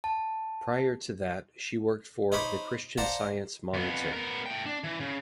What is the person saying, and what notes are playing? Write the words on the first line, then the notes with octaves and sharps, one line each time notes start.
Prior to that, she worked for "The Christian Science Monitor".
A5
D#4 C5 C#5 B5 D6
C5 D5 F5 F#5 A5 A#5
F2 B3
B3 A#4
A3 G5
D4
E3
C#3